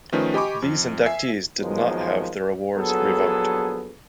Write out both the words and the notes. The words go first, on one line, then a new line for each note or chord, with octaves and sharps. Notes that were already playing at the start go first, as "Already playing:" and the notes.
These inductees did not have their awards revoked.
D#3 F3 A3 C#4 B4 D#5
G4 D#5 G#5 B5 C#6 D6
F2
E5 G#5 C7
D#3 F3 F#3 G#3 A#3 B3
A#1 F#3 B3 G#4 A4